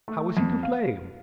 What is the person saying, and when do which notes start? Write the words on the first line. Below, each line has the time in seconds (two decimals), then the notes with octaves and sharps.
How was he to blame?
0.08 A3
0.37 F2
0.63 F5